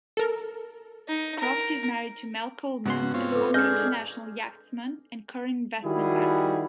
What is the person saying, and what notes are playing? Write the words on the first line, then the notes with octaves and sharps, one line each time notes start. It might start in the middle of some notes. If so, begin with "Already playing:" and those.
Croft is married to Mel Coleman, a former international yachtsman and current investment banker.
A4 A#4
D#4
A#4
G#2 C#3 B3 F#4 C6
C4 F4 C#5
A4 B4
G#3 D4 G#4 A4 D#5 F6 G6
D#3 G3 E4 F#4 G#4